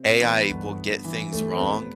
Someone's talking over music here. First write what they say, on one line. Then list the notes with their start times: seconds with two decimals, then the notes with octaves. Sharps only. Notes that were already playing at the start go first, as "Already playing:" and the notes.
AI will get things wrong,
Already playing: C3 C4
0.21 E3 B3
0.49 G1
0.77 G1
1.04 E3
1.32 F1 A3
1.53 C4
1.60 F1 B3